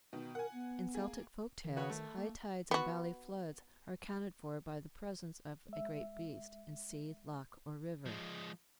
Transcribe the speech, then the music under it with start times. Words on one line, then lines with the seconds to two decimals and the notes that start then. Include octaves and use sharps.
In Celtic folk tales high tides and valley floods are accounted for by the presence of a "great beast" in sea, loch, or river.
0.13 B2 D#3
0.35 A#4 F#5 G#5
0.53 B3
0.95 A#3 G#4
1.64 D#3
1.77 F#4 B4 C#5
1.90 A3
2.18 A#3
2.71 B3 F#4
5.69 G#3 E5
8.06 F3 G#3